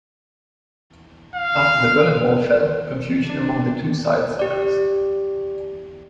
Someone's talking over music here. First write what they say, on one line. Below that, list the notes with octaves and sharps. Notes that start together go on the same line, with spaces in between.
After the Berlin Wall fell, confusion among the two sides increased.
F5
D4
G4 D5